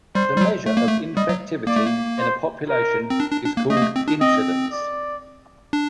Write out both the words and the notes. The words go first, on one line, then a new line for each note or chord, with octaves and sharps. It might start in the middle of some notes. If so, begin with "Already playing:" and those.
The measure of infectivity in a population is called incidence.
G3 C5
G3
F#3
A3
A#3
A3
G3 D#5
F#3
A#3 D5
A3
A#3
C5
A#4
C4
D4
D4
D4
A#3
A3 D#5
A#3
A3
C4
D4
C4 D#5
D5
D4